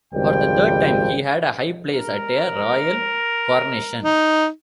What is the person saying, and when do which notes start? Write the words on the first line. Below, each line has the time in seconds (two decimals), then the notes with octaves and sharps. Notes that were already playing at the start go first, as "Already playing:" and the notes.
For the third time, he had a high place at a royal coronation.
0.14 G#1 C#2 F3 G3 G5
1.94 A#4
4.03 D#4